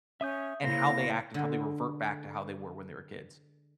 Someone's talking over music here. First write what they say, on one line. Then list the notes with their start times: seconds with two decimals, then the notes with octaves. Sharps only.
and how they act and how they revert back to how they were when they were kids.
0.21 C#4 E5 D#6 G6
0.64 C#3 A#3 E4 C5 F5 A#6
1.34 D3 G#3